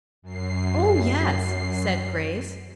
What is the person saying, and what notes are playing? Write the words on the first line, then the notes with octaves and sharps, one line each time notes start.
"Oh yes," said Grace.
F#2 C7